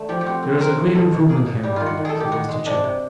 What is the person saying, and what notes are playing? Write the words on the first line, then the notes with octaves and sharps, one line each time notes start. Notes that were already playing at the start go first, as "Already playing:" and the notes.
'There is a great improvement here, ma'am?' says Mr. Chillip.
Already playing: D3 A3
F3 G4
G4
C4 F#4
C4
C4 A#4
A2
B2 A4
B2
A#3 G#4
B2
G3 G4
D#3 F4
F#4
D#3
G#4 A4
D#3
G4
D#3 F#4
G#3
C3 D4
C3